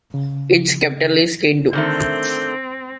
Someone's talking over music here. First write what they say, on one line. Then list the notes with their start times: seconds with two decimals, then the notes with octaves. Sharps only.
Its capital is Kindu.
0.14 C#3
1.73 D3 D#3 A3 C4 G6